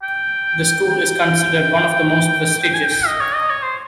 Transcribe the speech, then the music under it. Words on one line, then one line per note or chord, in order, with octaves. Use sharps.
The school is considered one of the most prestigious.
G5
G5
G5
G#5
G5
D#5
C#5
D#5
C#5
C5